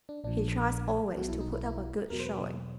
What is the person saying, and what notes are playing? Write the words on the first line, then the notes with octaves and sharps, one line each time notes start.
He tries always to put up a good showing.
D4
A#1 A#2 F3 D4
B1 B2 F#3 F#4
E4
D#4
E4
E4
E2 B2 F#3 A#4
C5
B4